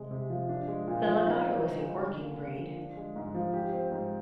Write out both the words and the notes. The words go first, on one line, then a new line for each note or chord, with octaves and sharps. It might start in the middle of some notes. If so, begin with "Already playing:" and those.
The Lagotto is a working breed.
Already playing: C3 G#3
C3
F3
D4
G#3
A#2
F3
D#4
C4
D3
G#3
D3
A#3
D3
F3
D4
G#3
G#2
F3
G4
C4
G#2